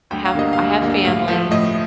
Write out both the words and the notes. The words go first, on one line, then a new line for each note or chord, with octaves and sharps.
I have I have family,
D2 G5
F5
D3 G3 A#3 D#5
F5
D2
D3 G3 A#3
A2 F5
F3 A3
A2 D#5